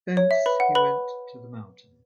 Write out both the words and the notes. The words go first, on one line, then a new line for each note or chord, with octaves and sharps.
Thence he went to the mountain.
C#5
E5
B4 B5
F#5
B4 B5